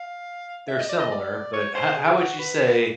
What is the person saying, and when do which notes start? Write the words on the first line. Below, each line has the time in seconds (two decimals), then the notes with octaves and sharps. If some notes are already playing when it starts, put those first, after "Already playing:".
They're similar, but ho how would you say
Already playing: F5
0.68 E5
0.79 D#5
0.89 D5
0.99 D#5
1.11 D5
1.53 C#5
1.74 C5
1.96 G#4
2.17 F#4
2.39 B4